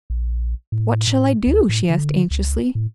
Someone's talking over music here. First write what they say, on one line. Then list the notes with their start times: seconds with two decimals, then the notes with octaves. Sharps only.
"What shall I do?" she asked anxiously.
0.10 A#1
0.72 A2
1.07 A2
1.47 D2
1.69 A2
1.90 D3
2.31 C#2
2.75 A2